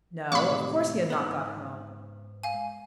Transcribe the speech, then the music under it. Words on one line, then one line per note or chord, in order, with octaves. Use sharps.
No, of course he had not got home.
D#2 A2 C3 F5 B5 C#6 D6
G#2 B3
F5 G#5